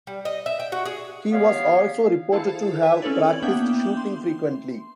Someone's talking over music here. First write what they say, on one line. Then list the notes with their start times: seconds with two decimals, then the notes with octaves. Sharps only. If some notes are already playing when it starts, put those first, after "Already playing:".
He was also reported to have practiced shooting frequently.
0.07 G3
0.25 D#5
0.46 E5
0.60 G5
0.72 F#4
0.85 G#4
1.32 F#3 G3 B3 C#5 F5
2.32 E4 G#4 A4 C5 F5 A5
2.83 B4 E5
3.02 C4 C#4 E4 A4 C#5 D5
3.30 E4 F#7
3.42 A#3 B3 D4 E5 G5 G6
3.97 C6